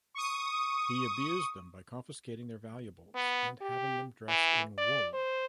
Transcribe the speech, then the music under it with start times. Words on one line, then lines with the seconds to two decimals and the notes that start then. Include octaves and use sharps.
He abused them by confiscating their valuables and having them dressed in wool.
0.15 C#6 D#6
3.15 B3
3.61 G4
4.28 E3
4.78 D5
5.13 C5